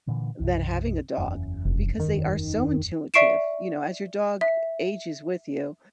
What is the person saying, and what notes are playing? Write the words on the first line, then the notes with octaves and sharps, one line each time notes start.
than having a dog, because they are so intuitive, you know, as your dog ages with you,
A#2 D3 E3
B1 F#2 C3
F#1 E2 C#4
F1
D#3
D5 E5 C#6 C7 D7 E7
E5